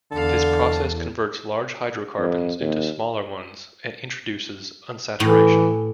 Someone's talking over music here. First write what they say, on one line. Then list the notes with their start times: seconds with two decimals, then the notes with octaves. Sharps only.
This process converts large hydrocarbons into smaller ones and introduces unsaturation.
0.12 E2 D3 A4 F5 A5
2.18 F2
2.60 D#2
5.20 A2 E3